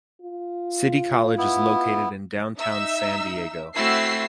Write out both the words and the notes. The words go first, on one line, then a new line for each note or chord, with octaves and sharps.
City College is located in Downtown San Diego.
F4
B3 E4
D#4 E5 E6
A3 C4 E4 F#4 E6 C7